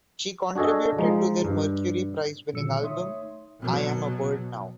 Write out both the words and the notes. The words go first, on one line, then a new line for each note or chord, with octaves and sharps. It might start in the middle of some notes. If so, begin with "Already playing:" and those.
She contributed to their Mercury Prize-winning album, "I Am a Bird Now".
D4 F#4 G#4 A4 D#5
F3 G#3 D#4
G2
A#2 D3 D#3 F#3 E6 C#7
A3 D#4 C#5 E5 C6 D#6
B2 F#3